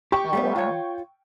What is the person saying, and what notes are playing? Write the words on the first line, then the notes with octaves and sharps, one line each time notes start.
Oh, wow.
G4 G5 C#6
G3 A3 B3
F4 C#5